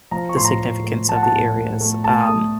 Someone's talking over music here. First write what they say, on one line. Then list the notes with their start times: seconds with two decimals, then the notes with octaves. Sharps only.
the significance of the areas. Um,
0.11 F3 A#5
0.29 C#6
0.36 A2 C6
0.45 A#5
0.59 A2
0.84 A3
1.08 F3 A5
1.16 F#5
1.23 A5
1.32 A2
1.56 A2
1.80 A3
2.04 A3 A5
2.21 D#6
2.29 A3